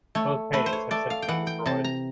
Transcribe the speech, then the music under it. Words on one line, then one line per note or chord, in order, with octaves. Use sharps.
Both paintings have since been destroyed.
A3 C#5
A3 B4
C5
C#5
A3 D5
F5
G5
E3 F#5
G5
C3 A5
A#5